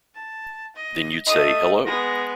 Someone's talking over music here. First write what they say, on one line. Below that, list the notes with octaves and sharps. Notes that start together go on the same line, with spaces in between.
Then you'd say, 'Hello!'
A5
D#5
A3 D#5 D#6
G#3 B3 A#6